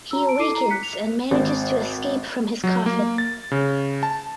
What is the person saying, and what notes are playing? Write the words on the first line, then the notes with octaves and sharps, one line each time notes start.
He awakens and manages to escape from his coffin.
F#4 A#5 E6
A5 D7
E4 A4 D6 C7 D#7
A#5
F#6 B6 C#7
F7
G#1
F#3
A#3
A6
C#3
A5